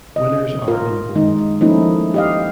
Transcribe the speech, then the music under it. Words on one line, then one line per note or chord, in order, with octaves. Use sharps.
Winners are in bold.
D#5
F4 A#4
D#3 G#3 D#4
F3 A3 A#3 C#4 D#4 E4
G4 D#5 F5